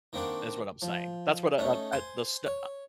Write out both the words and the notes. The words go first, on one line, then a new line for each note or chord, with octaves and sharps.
That's what I'm saying. That's what, uh uh, the Sn uh,
D#3 A#3 C4 D4 F#4
F3
A3 C#4 D#4
C5 G#5
C#5